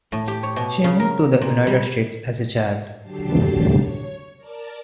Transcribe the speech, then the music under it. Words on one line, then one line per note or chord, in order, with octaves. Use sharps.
She moved to the United States as a child.
A2
G4
C#5
B2
C#3
A#4
A#2
G3
D3 F#3 G4 A5 C7
C#5
A#4 D5 A5